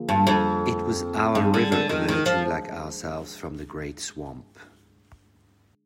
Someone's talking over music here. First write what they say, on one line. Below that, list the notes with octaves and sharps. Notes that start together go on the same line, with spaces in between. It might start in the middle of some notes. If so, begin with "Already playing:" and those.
It was our river emerging like ourselves from the great swamp.
Already playing: D3 F3 A#3 F4 G#4
G2
F2
G2 G#3 D4 G#4
D3
D3
D#3
D#3
F3